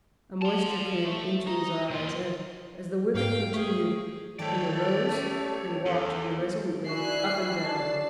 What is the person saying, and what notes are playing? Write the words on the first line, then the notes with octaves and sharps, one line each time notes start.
A moisture came into his eyes, and, as the whipping continued, he arose and walked irresolutely up and down.
A5 C6
A3
D#4
D#2 F4
G#2 F5 G5
A3 G#4
D#3 F3 A3 C#5 D5 G5 A5
C#4 G4
E2 A4
D4 E4 F#4 G#4 E5 G#5 F#6 C7
D5 A5